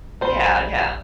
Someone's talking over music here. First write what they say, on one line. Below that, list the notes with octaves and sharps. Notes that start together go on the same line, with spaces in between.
Yeah. Yeah.
A#1 G3 C5